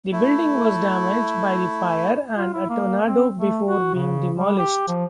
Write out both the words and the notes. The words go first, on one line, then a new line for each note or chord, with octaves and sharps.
The building was damaged by fire and a tornado before being demolished.
A3 E4
F4
E4
A#3
C4
A3
F#4
C#3
G3
G4
F3